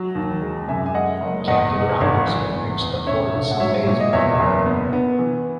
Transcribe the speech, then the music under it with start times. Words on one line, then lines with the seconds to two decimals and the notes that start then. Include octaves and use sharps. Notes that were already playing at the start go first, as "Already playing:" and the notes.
Captain Roberts had reached the fort some days before.
Already playing: F#3
0.15 D#2
0.42 G#3
0.68 F#2 E5 G#5
0.86 G#5
0.94 G#3 D#5 F#5
1.21 F#1
1.48 E2 D#5 F#5
1.74 E2
2.01 G#1
2.28 E3
2.54 E2
2.81 E2
3.07 C#4 C#5 E5
3.33 A#1
3.51 F#5
3.60 F#3 C#5 E5
3.87 A#2 C#5
4.00 D#5
4.13 E2 C#5 E5
4.40 F#1
4.66 B3
4.93 B3
5.19 E3